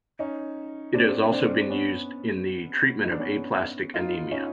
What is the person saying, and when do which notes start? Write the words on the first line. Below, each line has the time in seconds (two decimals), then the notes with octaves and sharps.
It has also been used in the treatment of aplastic anemia.
0.19 C#4 D#4
0.94 C4 D4
1.32 C4 D4
1.69 B3 C#4
3.04 D#4
3.11 D4
3.20 B3 C#4
3.94 D#4 F4
4.31 C#4 D#4